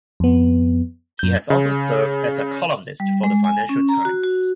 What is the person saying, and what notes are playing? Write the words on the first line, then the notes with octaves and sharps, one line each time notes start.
He has also served as a columnist for the Financial Times.
F2 B3
F#2 G6
C#3
G3
G#3
G#5
C#4
A#5
F#4
F#4